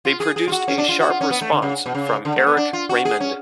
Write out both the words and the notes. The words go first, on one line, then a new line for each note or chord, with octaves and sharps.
They produced a sharp response from Eric Raymond.
F4
G#4
G#4
F4
F#4
C#4
D4
F4
F#4
F4
C#4
B3
A3
D3
C#3
B2
C#3
D3
A3
B3
D4
F4
F#4
G#4
C#4